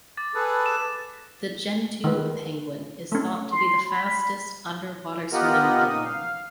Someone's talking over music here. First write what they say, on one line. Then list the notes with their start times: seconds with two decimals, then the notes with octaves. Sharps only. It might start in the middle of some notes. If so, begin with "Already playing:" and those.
The Gentoo penguin is thought to be the fastest underwater-swimming penguin.
0.17 D6 A6
0.35 G#4 A4 B4
0.66 E7
2.04 D#3 B4
3.12 A3 C#4
3.51 C6
3.87 B5
5.33 B3 F4 G4 A#4 D#5 F#5
5.88 A#2 D#4 D#6
6.04 F5